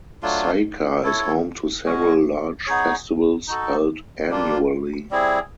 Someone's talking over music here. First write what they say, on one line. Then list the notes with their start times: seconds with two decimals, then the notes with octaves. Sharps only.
Seika is home to several large festivals held annually.
0.22 F#3 A3 D4 F4
1.03 E4 A4 C#5
1.85 G#3 C#4 F#4
2.66 B3 D#4 G#4 C#5
3.48 D#4 F#4 A4
4.29 G3 A#3 D4 F4
5.11 G3 C4 E4 G#4